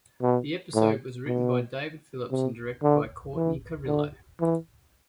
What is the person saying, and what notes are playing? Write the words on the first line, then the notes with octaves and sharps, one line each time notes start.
The episode was written by David Phillips and directed by Cortney Carrillo.
B2
A2
B2
C3
D3
E3
D3
E3